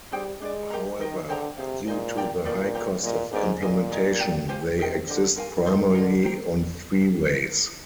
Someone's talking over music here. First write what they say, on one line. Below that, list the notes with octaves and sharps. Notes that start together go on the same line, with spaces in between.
However, due to the high cost of implementation, they exist primarily on freeways.
G3 D4 G#4 C5 G5
G#3 D4 G#4 D5
G4 A#4 F5 A#5
D#3 D#4 A#4 D#5 G5
D3 G#4 C5 G5 A#5
C3 G#4 C5 F5
A#2 G#4 C5 D#5 G#5
G4 D5 G5 A#5
A#2 G4 A#4 D5
G4 C5 F5 A#5
A#2 F4 G#4 D#5
G#2 D4 G4 A#4 D5
A#2 G#4 D#5 G#5
G#4 D#5 A#5
G#4 D5 G5 A#5
G4 C5 F5 G#5
C3 D#4 A#4 D#5 G5
D3 G4 C5 D#5
F4 A#4 F5 G#5
D#3 F4 G#4 C5
D3 F4 A#4 D#5 A#5
G4 C5 G5 A#5